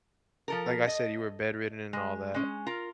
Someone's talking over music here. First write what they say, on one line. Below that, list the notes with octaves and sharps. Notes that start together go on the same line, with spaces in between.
like, I said, you were bedridden and all that.
F3 A4 A#4
D#5
G#3
G#3 C#4
F4 A#4